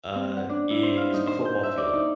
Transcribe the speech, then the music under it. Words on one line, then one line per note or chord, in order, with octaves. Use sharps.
uh, is a football field.
C4
F#5
D4
E4
C5
F5
D#4
C5
G6
E5
D5
D#4